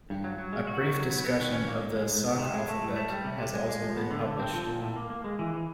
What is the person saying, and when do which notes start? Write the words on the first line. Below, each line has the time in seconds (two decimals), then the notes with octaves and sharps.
A brief discussion of the Sauk alphabet has also been published.
0.10 G2
0.24 F#3
0.38 F#3
0.53 G#3
0.67 F#4
0.81 D#3
0.95 F#3
1.10 B3
1.24 B3
1.39 D#3
1.53 C#4
1.67 A#3
1.82 G#2
1.96 G#3
2.11 G#2
2.25 B3
2.38 C3
2.53 G#3
2.68 A3
2.82 A2
2.96 A3
3.10 G3
3.24 C3
3.38 C3
3.54 G#3
3.68 G#3
3.82 F3
3.96 B3
4.11 D3
4.25 D3
4.40 C4
4.53 F3
4.67 A#2
4.81 A2
4.96 A#3
5.10 A#3
5.24 G#3
5.39 E3
5.54 E3